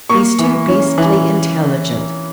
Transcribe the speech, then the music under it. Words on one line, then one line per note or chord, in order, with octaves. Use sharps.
He's too beastly intelligent.
A#3 C#6
E3
C#4
E3